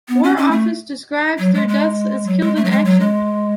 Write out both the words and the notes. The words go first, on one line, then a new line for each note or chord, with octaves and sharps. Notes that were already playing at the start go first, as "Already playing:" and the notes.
The War Office describes their deaths as Killed in Action.
B3
C#4
C#4
A3
F#3
G#3
G#3
F#3
G#3
A3
F#3
G#3
F#3
G#3